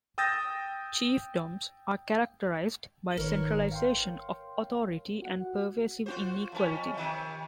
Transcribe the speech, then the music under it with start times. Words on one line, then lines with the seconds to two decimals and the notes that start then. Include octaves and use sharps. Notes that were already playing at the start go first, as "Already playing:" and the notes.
Chiefdoms are characterized by centralization of authority and pervasive inequality.
0.18 G5 D#6 E6 G6 A6 A#6
3.17 G#1 D#3 A#4 B4 C#5
3.72 F5 G5 C6
5.22 F#4 F#5
6.06 F4 F#4 C5
6.52 F2 C#4
6.94 C3 D#3